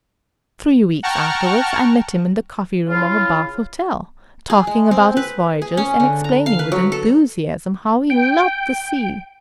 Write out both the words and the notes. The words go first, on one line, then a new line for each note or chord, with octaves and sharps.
Three weeks afterwards, I met him in the coffee-room of a Bath hotel, talking about his voyages, and explaining, with enthusiasm, how he loved the sea.
F#5 G5 A5 A#5 C#6 F6
C#3 E4 F4
G#4
G#3
C4
B4
G#4
C#4
D3
A#5
F5
B4
F#3
A4
G5